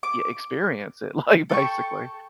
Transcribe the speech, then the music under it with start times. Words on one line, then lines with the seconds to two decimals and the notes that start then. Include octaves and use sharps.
yeah, experience it, like, basically
0.03 D6
1.49 A4 G5 C#6